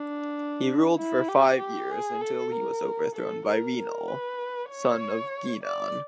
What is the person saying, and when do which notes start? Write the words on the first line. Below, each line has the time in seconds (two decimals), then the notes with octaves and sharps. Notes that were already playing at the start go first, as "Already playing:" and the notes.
He ruled for five years, until he was overthrown by Rinnal, son of Genann.
Already playing: D4
0.97 E4
1.29 G4
1.59 G4
1.91 G#4
2.21 A4
2.52 A#4
3.15 A4
3.46 A#4
3.77 A#4
4.08 B4
4.70 C#5
5.63 D5